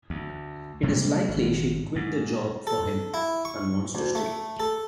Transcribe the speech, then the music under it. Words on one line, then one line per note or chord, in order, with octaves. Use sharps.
It is likely she quit the job for him and wants to stay.
D2
C3 G3 G#3 A#3
G#1
G#2
A4
E4
C#6
D2
A3
A4